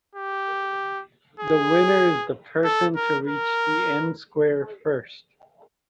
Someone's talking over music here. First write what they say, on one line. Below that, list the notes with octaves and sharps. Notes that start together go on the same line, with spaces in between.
The winner is the person to reach the end square first.
G4
G#4
A4
A#4
A#4